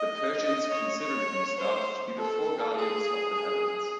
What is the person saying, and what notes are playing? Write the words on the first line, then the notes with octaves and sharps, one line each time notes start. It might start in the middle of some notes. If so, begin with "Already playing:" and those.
The Persians considered these stars to be the four guardians of the heavens.
Already playing: D#5
D#5
C#5
C#5
C5
A4
G#4
G#4